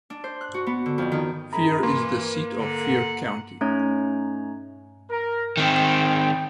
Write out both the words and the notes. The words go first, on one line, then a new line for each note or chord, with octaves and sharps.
Fier is the seat of Fier County.
D4
C5
F#6
F#4
B3
D3
F2
D#3
F#2 G#4 A#5 B5
E3 A#3 F4 B4 C6
D3 F#5 A#5
A3 C#4 D#4 C#5 A#5
A#4
D#3 C4 G5